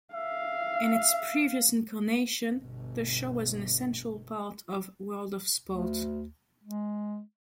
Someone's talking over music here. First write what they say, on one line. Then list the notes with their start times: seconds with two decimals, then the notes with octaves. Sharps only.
In its previous incarnation, the show was an essential part of "World of Sport".
0.14 E5 F5
2.58 G1 B2
5.67 D2
6.64 G#3